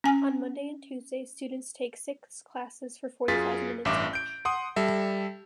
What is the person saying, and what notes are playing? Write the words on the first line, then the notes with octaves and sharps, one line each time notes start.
On Monday and Tuesday, students take six classes for forty-five minutes each.
C#4 G#5
F#2 F4 G#4 A6 B6
A1 G2 E5 D6
G6 D7
F#5 C6 D#6
G3 A4 E5